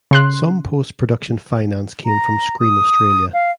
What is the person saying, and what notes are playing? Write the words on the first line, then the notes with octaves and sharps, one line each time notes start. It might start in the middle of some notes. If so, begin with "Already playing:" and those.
Some post production finance came from Screen Australia.
C#3 C6 F#6
A#5
D#6
F5